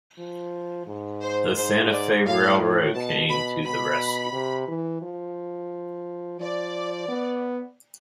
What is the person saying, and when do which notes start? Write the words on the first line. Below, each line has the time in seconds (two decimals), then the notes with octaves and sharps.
The Santa Fe Railroad came to the rescue.
0.18 F3
0.87 G#2
1.22 C5
1.56 G#2 C5
1.91 D5
2.26 A2 F5
2.95 B2 A5
3.29 B2 B5
3.64 B2 B5
4.33 C3
4.68 E3
5.02 F3
6.40 F3 D5
7.09 B3